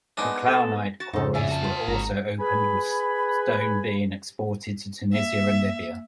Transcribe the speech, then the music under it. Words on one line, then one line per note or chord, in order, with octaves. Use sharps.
Calcarenite quarries were also opened with stone being exported to Tunisia and Libya.
G#3 B3 D4 D#4
A4 A5
F#4 A6
F2 C#3 D#4 A4
G#2 D5 E5 G#5
F#4 A5
F4
G#1 A#5
G#4 B4 G#5 B5
A#3 E5